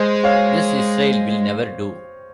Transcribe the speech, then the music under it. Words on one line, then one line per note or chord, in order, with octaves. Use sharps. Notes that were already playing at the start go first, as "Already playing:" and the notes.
This Israel will never do.
Already playing: G#3 C5 D#5
C#5 F5